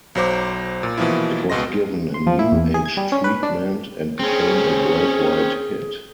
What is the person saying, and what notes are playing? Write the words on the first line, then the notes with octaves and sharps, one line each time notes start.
It was given a New Age treatment and became a worldwide hit.
B1 F#3 C5 D6
A#2
B2 E3 F3 A#3 E4
C#2 B2 D#5 C6 A#6
C6
F3
E4
E2
G#4
G#6
G3
C#4
B4
D4
C4 C#4 G#4